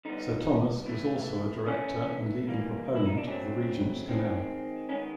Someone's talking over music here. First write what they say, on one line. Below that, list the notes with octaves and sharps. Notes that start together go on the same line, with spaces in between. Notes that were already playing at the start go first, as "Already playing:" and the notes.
Sir Thomas was also a Director and leading proponent of the Regent's Canal.
D3 G3 B3 D#4
A2 E3 A3
A2 E3 A3 C#4
E3 G3 A#3
E4
D#4
D4
C#3 F#3 A3 C4 C#4
D#3 G#3 C4
D#3 G#3 B3 C#4